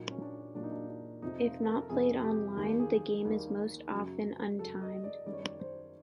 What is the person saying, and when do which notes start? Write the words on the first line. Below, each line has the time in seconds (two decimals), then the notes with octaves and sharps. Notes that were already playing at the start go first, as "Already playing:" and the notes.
If not played online the game is most often untimed.
Already playing: A#2 F#3 A#3 D#4
0.11 C#4
0.21 D4
0.55 A#2 F#3 A#3 D4
0.63 D#4
0.72 D4
0.88 D4
1.22 F2 C3 F3 D#4
1.45 F4
1.63 A4
1.67 A#4
1.90 F2 C3 F3 G#4
2.24 G4
2.57 D#2 D#3 G3 A#3 G4
2.79 G#4
3.25 D#2 D#3 G3 A#3
3.92 F#2 C#3 F#3
4.59 F#2 C#3 F#3 A4
4.81 D#5
5.04 D5
5.26 F#2 D#3 G3 D5
5.33 C#5
5.41 D5
5.60 C5